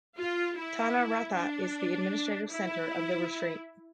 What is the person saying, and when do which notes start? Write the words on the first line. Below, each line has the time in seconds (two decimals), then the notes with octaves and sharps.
Tanah Rata is the administrative centre of the retreat.
0.18 F4
0.57 E4
1.34 D4
2.49 E4